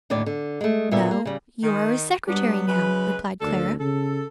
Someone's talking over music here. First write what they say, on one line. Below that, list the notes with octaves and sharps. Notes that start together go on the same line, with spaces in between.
"No, you are a secretary now," replied Clara.
D#2 A2 D3 D5
D3
G#3 A3
A#2 D3 A#3 B3 E5
A#3
C#3 G3
D#3
F#3 G3 B3 D4
C#3 F#3 G#3 B4
D2 A#3 D4 A4
C#3 A4